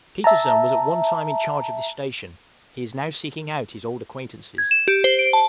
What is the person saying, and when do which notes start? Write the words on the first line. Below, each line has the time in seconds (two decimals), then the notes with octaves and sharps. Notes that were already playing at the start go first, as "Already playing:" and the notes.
Petersen was at one time in charge of this station; he is now seeking out his old acquaintances.
0.24 E5 A5 A#5
4.58 G#6
4.71 E7
4.88 G4
5.04 C5
5.19 D7
5.33 A5